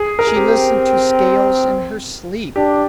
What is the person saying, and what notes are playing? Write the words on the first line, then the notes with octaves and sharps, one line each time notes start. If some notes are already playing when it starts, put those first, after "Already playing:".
She listened to scales in her sleep.
Already playing: G#4
A#4
G#4
C4 G4
D4 G4